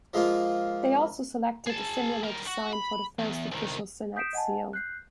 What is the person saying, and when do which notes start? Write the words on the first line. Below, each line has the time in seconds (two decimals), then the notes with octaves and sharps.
They also selected a similar design for the first official Senate seal.
0.14 F3 G#3 A#3 F4
1.67 G#4 A5
2.23 G3 A#4
2.47 F#4
2.73 B5
3.19 E2
3.51 C2 D#3
4.16 D#6 G6 B6 C7 D7 E7
4.33 D#5 F#5 G#5 A5
4.73 F#6 G6 C7